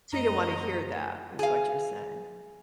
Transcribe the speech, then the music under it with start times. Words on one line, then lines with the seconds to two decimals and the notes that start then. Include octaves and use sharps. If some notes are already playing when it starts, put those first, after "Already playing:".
She didn't wanna hear that, is what you're saying.
0.12 F#2 A3 D#5 A#5
1.39 G#4 F5